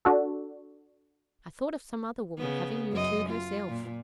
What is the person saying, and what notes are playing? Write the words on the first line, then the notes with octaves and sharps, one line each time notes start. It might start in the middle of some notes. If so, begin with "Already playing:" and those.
I thought of some other woman having you to herself.
D4 F#4 A4
C#3 B3
F#2 D#5
F4
A#2